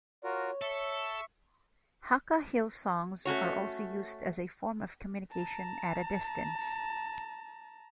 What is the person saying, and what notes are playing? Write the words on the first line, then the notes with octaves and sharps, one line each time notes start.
Hakka hill songs are also used as a form of communication at a distance.
F4 F#4 A#4 C#5
A4 E5 C#6
A3 C#4 F#4 C#5
A5 A#5